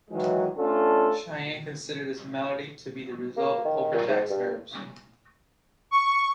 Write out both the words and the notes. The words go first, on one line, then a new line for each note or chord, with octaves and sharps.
Cheyne considered this malady to be the result of over-taxed nerves.
D#3 E3 F#3 G#3
A3 C#4 D4 F4 A4
A#3
D#3
A#2
G#2
G2
C#6